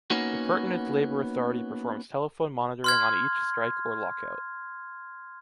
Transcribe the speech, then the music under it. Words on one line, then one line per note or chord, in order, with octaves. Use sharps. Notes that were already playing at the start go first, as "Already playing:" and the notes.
The pertinent labor authority performs telephone monitoring on each strike or lockout.
A#3 B3 C#4 D#4 F#4
C6 F6 G#6